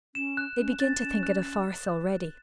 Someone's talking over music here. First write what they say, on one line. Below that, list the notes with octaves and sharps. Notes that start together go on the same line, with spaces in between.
They begin to think it a farce already.
C#4 E7
F#6
C#4 F#6
C#4 A6
C#4 E7
F#6